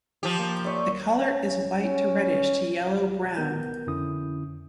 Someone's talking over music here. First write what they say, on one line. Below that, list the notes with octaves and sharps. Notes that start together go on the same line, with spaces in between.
The color is white to reddish to yellow brown.
F3 G4
A#3
C#5 D5 E5
C#4
C#4
B3 A#4 G6
F2 D3 C#4 E4 D#6